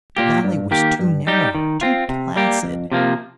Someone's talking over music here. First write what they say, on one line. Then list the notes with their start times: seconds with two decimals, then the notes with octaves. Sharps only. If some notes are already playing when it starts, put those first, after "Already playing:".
The valley was too narrow, too placid.
0.17 A#2 A#3 G4
0.44 G2
0.71 D#3 A#3 G4
0.99 G2
1.27 G3 D#4 G4
1.55 D#3
1.81 C4 F4
2.09 C3
2.36 G3 A#3 G4
2.63 F2
2.92 C3 F3 A#3